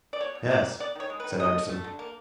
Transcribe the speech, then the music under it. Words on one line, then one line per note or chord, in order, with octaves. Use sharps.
"Yes," said Emerson.
D5
B2 C#5
B2
A#3 D5
A#3
B3 D5
D#3 C#5
G#3
B4
D#3
F3 D#5
D3
A3
D3
A#3